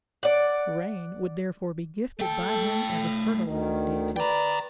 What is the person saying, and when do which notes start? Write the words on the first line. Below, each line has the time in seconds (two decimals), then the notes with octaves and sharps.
Rain would therefore be gifted by him as a fertilizing deity.
0.23 D5 F#5
2.20 A3 A4 G5
3.43 D2 D#3
4.16 B4 D5 G5 A#5